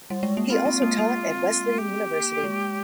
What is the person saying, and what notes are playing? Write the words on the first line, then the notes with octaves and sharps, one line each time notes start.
He also taught at Wesleyan University.
G3
G#3
A#3
C4 F4
G#3
A#3
A#3
G4
G#3